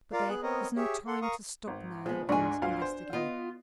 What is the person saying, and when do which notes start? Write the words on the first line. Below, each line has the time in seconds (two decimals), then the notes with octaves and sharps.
But there was no time to stop now, and investigate.
0.13 F4 A#4 D5 F5
0.29 B3 G#4 F#6
0.43 B3 C4 A#4 C#5 D#5
0.76 G4 G#4 C#5 E5
1.07 A4 F#5 C6
1.22 A#4 F5 C#6 D#6
1.67 G#1
2.06 F3 G#3 B3
2.29 D2 G#2 D4 G#5 C#6
2.62 D2 F4 F5
2.82 C5
3.13 B3 F4 D#5